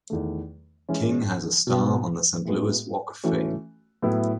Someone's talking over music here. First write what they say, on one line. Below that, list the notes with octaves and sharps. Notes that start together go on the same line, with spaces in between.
King has a star on the Saint Louis Walk of Fame.
E2 D#3 A3
E3 G#3 C#4 E4
B2 F#3 B3
A2 G#3 B3 F#4
E3 A3 C#4 F#4
A2 F#3 B3 E4